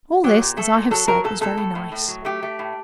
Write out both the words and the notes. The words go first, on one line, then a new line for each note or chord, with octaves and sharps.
All this, as I have said, was very nice.
F#3 G4
A#2
A3 A4
A#2
F#3 A4
F#3 A#4
A#2 A4
A#2 A4
A2
A2
A2
F#3
A3 G4
A3
A2